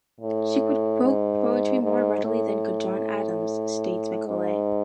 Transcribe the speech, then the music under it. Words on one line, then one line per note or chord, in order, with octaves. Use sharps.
"She could quote poetry more readily than could John Adams," states McCullogh.
A2
G#2
G#2
A2
G#2